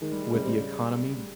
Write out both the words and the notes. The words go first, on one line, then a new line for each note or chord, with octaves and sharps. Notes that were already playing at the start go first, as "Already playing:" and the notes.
with the economy
D#3 G#3
G3
G#3
C#3 G3
C3
G3
C#3